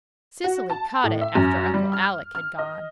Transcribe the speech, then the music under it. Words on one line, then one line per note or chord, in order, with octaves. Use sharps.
Cecily "caught it" after Uncle Alec had gone.
F#4
A5
A2
E5
F#2
G3
F6
F6
D#5